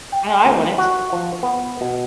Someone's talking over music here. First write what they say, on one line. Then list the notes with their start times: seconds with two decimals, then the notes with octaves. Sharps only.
I know I wouldn't.
0.12 G5
0.46 D2
0.78 F#4
1.13 F3
1.43 B3
1.81 B2